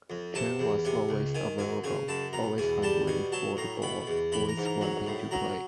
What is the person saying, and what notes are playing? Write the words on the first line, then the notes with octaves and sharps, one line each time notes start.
John was always available, always hungry for the ball, always wanting to play.
F2
C3 A5
E2
C3 G#5
C#2
D#3 G#5
F#2 G#5
C#3 G#5
F#2 A5
B2 A#5
E2 G#5
G3 A5
B2 G#5
F#3 A5
A2 A#5
B2 B5
E2
E3 B5
A#5
G#2
A#5
F#3
A2
F#3 A#5